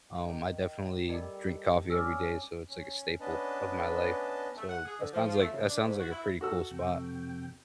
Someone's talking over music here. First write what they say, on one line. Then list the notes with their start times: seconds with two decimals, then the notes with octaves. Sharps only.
um, I definitely drink coffee every day, so it's like a staple of my life. So that sounds like that sounds like a pretty cool spot.
0.24 D#3
1.08 G3 A4 A#4 D5 D#5
1.90 C#4 D5 E6 F6
2.69 C#4
3.20 B3 C#4 D4 B4 D#5 A5
4.57 A3
4.69 F#5
4.85 G#4
4.99 D3
5.12 F3
5.25 F3
5.39 A3
5.51 C#3
5.67 D4
5.82 G#2
5.98 F#4
6.11 E4
6.41 F#4 A4 E6
6.71 F2 C3 G5